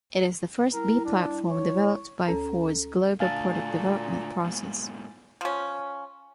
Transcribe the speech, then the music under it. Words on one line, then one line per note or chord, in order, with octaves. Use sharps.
It is the first B-platform developed by Ford's global product development process.
G3 E4 A#4
D4
C#5
D2 C#4 A4 A#5
A#2 D3 A3 F5 G#5 A5 A6
G#2 B2
F3 C#4